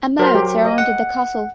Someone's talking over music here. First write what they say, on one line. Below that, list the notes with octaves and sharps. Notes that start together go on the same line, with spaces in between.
A moat surrounded the castle.
F#3 A#4 C5
G4
D#5
F#5